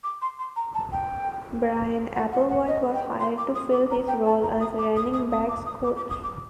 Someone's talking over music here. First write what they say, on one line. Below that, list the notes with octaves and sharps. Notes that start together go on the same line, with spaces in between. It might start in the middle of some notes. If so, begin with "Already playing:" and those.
Brian Applewhite was hired to fill his role as running backs coach.
D6
C6
C6
A#5
A5
G5
F#5
F#5
F#5
D#5
G5
C6
D6
D#6
D6
A#5
G5
A5
A#5
D#6
D6
D#6
D#6
D#6
D6
D#6
D6
D6
D#6
D6